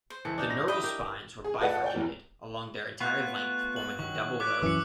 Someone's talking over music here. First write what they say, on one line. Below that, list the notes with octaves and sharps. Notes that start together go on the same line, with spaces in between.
The neural spines were bifurcated along their entire length, forming a double row.
C5
C#2 E3 A4 C#7
D4 D#4
G#2 C#4 A#6
E4 D#5 G5
G4 A#4
G#4
F4 A4 B4 D5 D#5 F#5
C#5 D5 G5
F1 E2 E3
A3 B3 F4 C#6 F#6
F#6 F#7
D#3 F#3 C#6
A4 C#5 D5 D6 F#6 B6
F#2 E3 E6 C#7